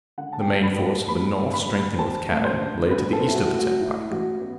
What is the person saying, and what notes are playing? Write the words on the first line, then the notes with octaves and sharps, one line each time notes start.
The main force of the North, strengthened with cannon, lay to the east of the turnpike.
D3 F#5
A5
G5
D2
B5
C4
A5
A3 B5
D3
B5
D2
C4 A5
A3
C5
D3
D2 B4
A4
C4
E4
F#4
A3
F#4
A2 E4
A1 F#4
B3